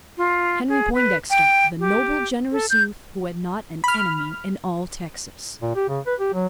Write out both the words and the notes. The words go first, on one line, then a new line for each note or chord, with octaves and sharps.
Henry Poindexter--the noble generous youth who had not an enemy in all Texas!
F4
G#4
B4
G5
G4
A4
G6
B5 F6
A#2
G4
C#3
B4
G4
F#3